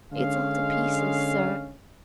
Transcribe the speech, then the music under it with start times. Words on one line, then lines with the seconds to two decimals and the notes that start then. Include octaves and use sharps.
'It's all to pieces, sir.
0.12 D3 G#3 C#4 F5